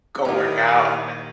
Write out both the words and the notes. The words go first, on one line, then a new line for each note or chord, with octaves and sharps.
go work out, that
A#2 D#3 A#3 D#4 E4 G4 A#4